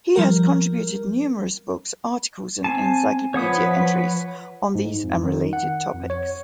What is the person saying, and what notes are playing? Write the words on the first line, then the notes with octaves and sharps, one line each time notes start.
He has contributed numerous books, articles and encyclopedia entries on these and related topics.
F3 G3 A#4
C4 G#5 A5
F3 B4 C#5 F#5 D#6
G#2
F2
D#3
F#5
F2
C#5